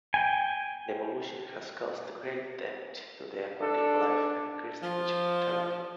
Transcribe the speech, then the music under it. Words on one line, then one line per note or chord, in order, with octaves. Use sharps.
The pollution has caused great damage to the aquatic life and increased fish mortality.
G5 G#5
D4 A4
F3